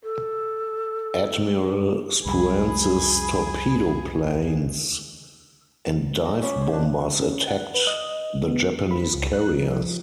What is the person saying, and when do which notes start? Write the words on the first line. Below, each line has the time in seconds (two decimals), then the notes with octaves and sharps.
Admiral Spruance's torpedo planes and dive-bombers attacked the Japanese carriers.
0.03 A4
2.25 C2 F2 G3 G#4 B5
6.25 D#5 A5 D6
6.42 C#4 B5
6.61 C5
6.73 D4
7.20 C#4
7.47 F#5
7.74 B4
7.87 D#5
8.44 B3
8.91 B5
9.15 C#2
9.33 F#6
9.60 F3